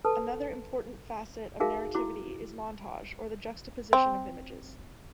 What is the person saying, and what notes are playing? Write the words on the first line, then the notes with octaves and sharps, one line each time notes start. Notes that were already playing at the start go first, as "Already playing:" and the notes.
Another important facet of narrativity is montage, or the juxtaposition of images.
A4 B4 A5
D#4 F#4 G#4 A#4 E5 F5
E4 F#4 D6
C4